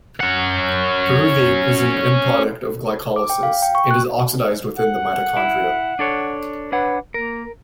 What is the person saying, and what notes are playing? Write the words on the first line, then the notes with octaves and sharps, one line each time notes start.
Pyruvate is an end product of glycolysis, and is oxidized within the mitochondria.
C#4 F#5
D6
G5
F5
G5
C#6
F#6
F#5
E4
D4 A4 C#5
D4 B4 C#5 F#5
A#3 A#4